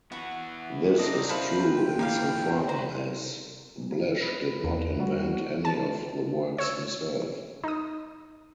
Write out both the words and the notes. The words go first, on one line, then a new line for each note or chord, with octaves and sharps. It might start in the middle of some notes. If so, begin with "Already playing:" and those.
This is true insofar as Blish did not invent any of the works himself.
E3 B3 F#4
C4 D4 D#4 D#5 D6
E4 A4 B4 C5 F5
G5
A#2 E3 A#3 G4 F5
B4 C5 A#5
B4
E2
G3 F#4
A5
C#5 E6
D#4 D#6